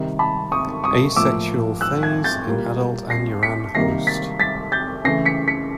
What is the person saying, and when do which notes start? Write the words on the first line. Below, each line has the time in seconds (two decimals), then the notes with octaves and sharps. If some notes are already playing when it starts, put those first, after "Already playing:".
Asexual phase in adult anuran host.
Already playing: C3 D#3 G3
0.19 A5 B5
0.52 C#6 D#6
0.84 C#6 D#6
1.16 A2 F3 A#3 D6 E6
1.81 E6 F#6
2.03 F#6 G#6
2.24 G6 A6
2.45 A#2 G3 A#3
3.10 A#6 C7
3.43 B6 C#7
3.75 C3 D#3 G3 A#3 A#6 C7
4.07 A6 B6
4.40 A6 B6
4.72 G6 A6
5.04 C#3 E3 A3 A#6 C7
5.25 B6 C#7
5.48 B6 C#7